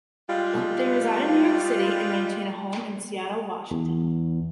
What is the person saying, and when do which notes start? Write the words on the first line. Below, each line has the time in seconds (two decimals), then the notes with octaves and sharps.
They reside in New York City and maintain a home in Seattle, Washington.
0.28 G3 G#3 F4
3.71 E2